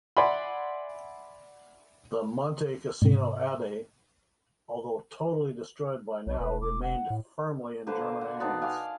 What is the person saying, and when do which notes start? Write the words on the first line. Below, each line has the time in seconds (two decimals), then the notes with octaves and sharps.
The Monte Cassino Abbey, although totally destroyed by now, remained firmly in German hands.
0.17 D5 E5 F#5 G#5 B5 C6
3.02 G#2 C3
6.26 B1 C#5
6.39 E1 B4
6.61 E1 D6
6.82 F#5
7.10 A2
7.87 D3 A#3 B4 C5
8.21 F#5
8.39 B2 B3 D4 D#4
8.62 F5 G#5 C6 D6